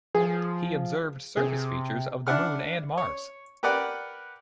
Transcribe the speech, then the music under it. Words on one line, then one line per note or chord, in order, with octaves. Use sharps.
He observed surface features of the Moon and Mars.
F3 G#4
C3 G#4
D4 E4 F#5 F6
C#5
G4 A#4 B4 D5 F#5